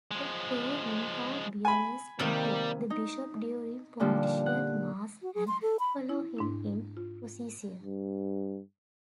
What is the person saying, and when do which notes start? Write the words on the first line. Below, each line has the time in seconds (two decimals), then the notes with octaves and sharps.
The two vimpa-bearers attend the bishop during Pontifical Mass, and follow him in procession.
0.11 F3 G#3
1.65 G#5 B5
2.19 C3 D#3 G3 A#3
2.90 D#4
4.00 A#2 D3 F3 G3
4.46 F#5
5.22 F#4
5.34 G#4
5.48 C6
5.62 A4
5.79 B5
6.09 E4
6.37 G#2 D4 E4
6.97 F4
7.80 G2